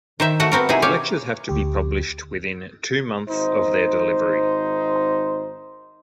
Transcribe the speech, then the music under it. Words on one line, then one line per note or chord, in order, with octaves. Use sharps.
The lectures have to be published within two months of their delivery.
D#3 C5 E5
A3 F#4 F#5
B3 C4 F#4 A#4
C3 D#4 E4 G#4
G4 C#5 F5
D2 G4
G#1 D#4 C5